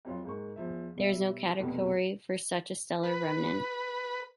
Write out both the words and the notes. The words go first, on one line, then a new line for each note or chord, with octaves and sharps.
There is no category for such a stellar remnant.
F2 F#3 F4
G#2 A#3 C#6
E2 F3 E5
B2 G3 E5
F1 F2 B2
B4